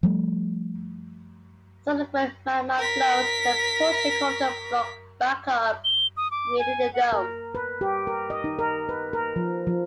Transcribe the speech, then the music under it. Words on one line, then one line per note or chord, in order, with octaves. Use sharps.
Subsequent magma flows then push the cauldron block back up creating the dome.
F3 G3 A3
A#4 B6
G7
D#6
D6
G#5
F#5
A#4
B4
G4
A#4
D#5
D#4
A#4
B4
A#4
F3
F3